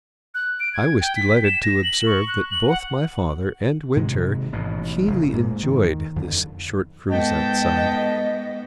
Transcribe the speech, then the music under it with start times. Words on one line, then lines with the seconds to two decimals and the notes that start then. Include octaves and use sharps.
I was delighted to observe that both my father and Winter keenly enjoyed this short cruise outside.
0.35 F#6
0.60 D7
0.74 G#6
1.01 G5
1.16 B6
1.45 E7
1.63 A#6
1.84 F#7
2.06 C#6
2.28 F#6
2.51 F#7
2.67 F#5
3.96 G#2 C3 D#3 G#3
4.52 A1 G#2 B2
5.07 F1 A2 C#3
5.33 G#2 A#3
5.63 D#3
6.16 F2 D3
7.09 G#2 B3 A4 D#5 G5 A5